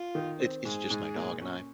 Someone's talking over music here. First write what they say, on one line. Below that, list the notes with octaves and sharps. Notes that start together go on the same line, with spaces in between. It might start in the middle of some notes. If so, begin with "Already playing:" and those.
it's it's just my dog and I;
Already playing: F4
D#3
C4
G#2 G#4
G#2
A#2
C#4